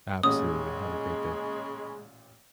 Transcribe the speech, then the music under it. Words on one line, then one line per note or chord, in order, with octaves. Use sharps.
Absolutely. Have a great day.
A1 A#2 C#3 G#3 C#4 D#6